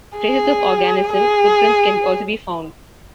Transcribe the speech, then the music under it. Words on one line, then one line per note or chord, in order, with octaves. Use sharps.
Traces of organism footprints can also be found.
G#4
G#4